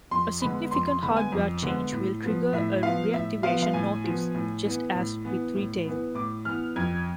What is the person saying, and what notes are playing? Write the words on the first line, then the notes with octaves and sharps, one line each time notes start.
A significant hardware change will trigger a reactivation notice, just as with retail.
F2 C6
D3 G#3 B3 B5
F2 C6
C6
D3 G#3 B3 B5
G#5
F2
D3 G#3 B3
A2
F3 B3
A2 E5
F3 B3 F5
A2 E5
F3 B3 F5
F5
A2 G#5
F3 B3
A2
E3 B3
A2
E3 B3
A2
E3 B3
A2 D6
E3 B3 F6
F2 G#6